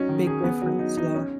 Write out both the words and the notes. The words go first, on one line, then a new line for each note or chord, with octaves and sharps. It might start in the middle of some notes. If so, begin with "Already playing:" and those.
Big difference, yeah.
Already playing: F#3 C#4 D#4
D#3
G#4
B3
F#3
D#4
D#4
C#4